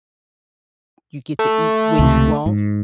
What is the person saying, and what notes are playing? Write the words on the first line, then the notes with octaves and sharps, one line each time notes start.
you get to eat when you want
A3
C#2 C3
G#2